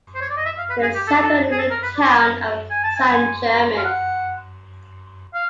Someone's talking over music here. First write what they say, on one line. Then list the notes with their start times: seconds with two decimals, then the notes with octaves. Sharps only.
They settled in the town of San German.
0.15 C5
0.21 C#5
0.30 D5
0.37 D#5
0.46 E5
0.58 F5
0.70 B4
0.82 G#4
0.95 G4
1.08 A4
1.21 A4
1.51 G#4
1.59 A4
1.70 A#4
1.83 B4
1.96 D5
2.71 G#5
2.84 A5
2.96 G#5
3.09 G#5
3.78 F5
3.84 F#5
5.34 F5